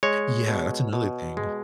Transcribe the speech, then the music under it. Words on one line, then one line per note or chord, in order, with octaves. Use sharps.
Yeah, that's another thing.
G#3 C#5
B2
B2
G#3